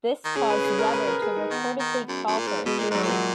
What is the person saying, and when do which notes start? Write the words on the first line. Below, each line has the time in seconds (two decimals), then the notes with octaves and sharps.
This caused Webber to reportedly call for a trade.
0.25 D#3
0.36 C#3 G#4
0.50 B4
0.64 G#4
0.79 A#4
0.93 B4
1.07 A#4
1.22 G#4
1.36 D#4
1.51 D#3 B3
1.80 D#3
2.08 F#2
2.28 F#2
2.38 A#2
2.47 G#2
2.66 B2 G#3
2.79 A#2 G#3
2.91 G#2 F#3
3.03 A#2
3.10 F#3